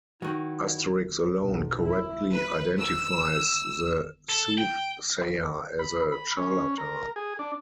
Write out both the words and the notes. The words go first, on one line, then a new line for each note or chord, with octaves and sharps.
Asterix alone correctly identifies the soothsayer as a charlatan.
D#3 F#3 E4
B1
E4
B4
E6
A4
G5
B5
B5
C#4
A#4
G#4
D4